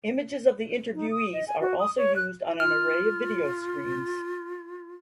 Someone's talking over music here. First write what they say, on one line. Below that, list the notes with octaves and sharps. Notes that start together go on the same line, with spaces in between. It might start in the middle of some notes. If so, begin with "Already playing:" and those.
Images of the interviewees are also used on an array of video screens.
D#4
D#6
D#5
G#5
F#4
D#6
C#5
F#6
F4 F6